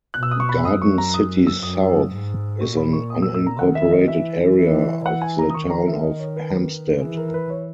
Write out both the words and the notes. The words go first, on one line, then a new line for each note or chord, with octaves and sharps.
Garden City South is an unincorporated area of the Town of Hempstead.
B2 F#6
E6
D#6
C#6
B5
F#2 D#6
C#6
A#5
D#6
E6
F#2 D#6
G#2
A#2 C#6
B5
C#6
D#6
E6
E6
A#5
D#3 F#5
E5
D#5
E3 E5
E3
E3 F#5
G#5
A#5
D#6
D#3 C#6
A#5
E5
D#5
C#5
B4
E3 G#4
A#4
A#4
B4
C#5